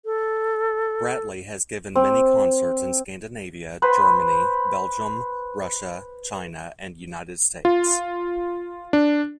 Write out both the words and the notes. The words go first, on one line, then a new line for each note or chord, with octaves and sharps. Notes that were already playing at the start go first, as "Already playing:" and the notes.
Bratlie has given many concerts in Scandinavia, Germany, Belgium, Russia, China and United States.
A4
C4
B4 C5 B5
F4
D4